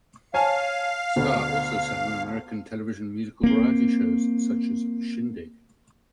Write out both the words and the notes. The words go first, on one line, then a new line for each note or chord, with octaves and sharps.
Starr also sang on American television musical variety shows such as Shindig!
C#5 F5 G#5 A5
D2 B2 D3
A#3 C4